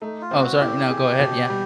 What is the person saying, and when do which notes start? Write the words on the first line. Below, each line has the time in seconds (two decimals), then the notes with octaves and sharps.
Oh, sorry. No, go ahead, yeah.
0.01 A3 D#4
0.21 F4
0.31 C4
0.41 F#4
0.60 E4 G4
0.90 G#4
1.19 B2
1.50 G3